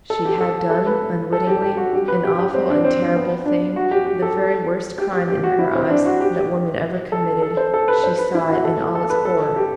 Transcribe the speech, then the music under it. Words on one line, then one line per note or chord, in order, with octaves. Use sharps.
She had done--unwittingly--an awful and terrible thing--the very worst crime, in her eyes, that woman ever committed--she saw it in all its horror.
A4
G4
A4
A4
B4
A4
G4
G4
F#4
G4
B4
G4
G4
C4
D4
C4
B3
D4
F#4
G4
G4
A4
G4
G4
G4
F#4
E4
C4
D4
F#4
G4
G4
A4
A4
C5
A4
B4
C5
B4
E4
F#4
A4
A4
B4
A4
G4